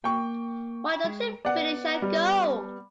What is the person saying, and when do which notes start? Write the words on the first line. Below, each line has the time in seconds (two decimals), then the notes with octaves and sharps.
Why don't you finish and go?
0.04 A#3 G5 C#6
1.04 G#3
1.45 B3 D5 F#5
2.02 G3